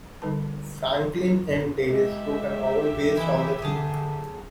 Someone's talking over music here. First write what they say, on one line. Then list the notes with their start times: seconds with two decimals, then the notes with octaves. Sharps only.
Franklin M. Davis wrote a novel based on the theme.
0.22 D3 G3 D#4 A4 B4 A5
1.87 G#3 G4 E5
3.17 E3 D#4 E4
3.62 D3 G#4 A4 A5